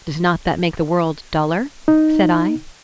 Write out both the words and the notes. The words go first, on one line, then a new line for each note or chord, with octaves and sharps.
"Does not that make the world duller?" said I.
D#4